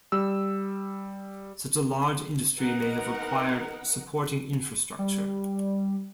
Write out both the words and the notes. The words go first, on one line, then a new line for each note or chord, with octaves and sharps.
Such a large industry may have required supporting infrastructure.
G3 E6
B3 D#4 A#4 B4 F#5
G3